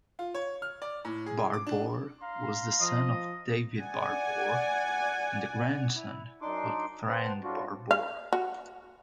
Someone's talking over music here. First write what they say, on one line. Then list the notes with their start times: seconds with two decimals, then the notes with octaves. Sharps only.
Barbour was the son of David Barbour and the grandson of Friend Barbour.
0.19 F4
0.34 C#5
0.62 F6
0.82 D5
1.05 A2
1.26 G#4
1.54 D6
1.67 D4
2.21 F5 A#5 C6
2.81 F3 D#5
3.78 D5 F#5 G#5
5.95 E4
6.42 F#2 D4 D#4 C6 D6
7.08 B4 C5 F#5 G5 A5
7.44 A2 G3 D4 F4 F#4
7.91 F5
8.33 F#4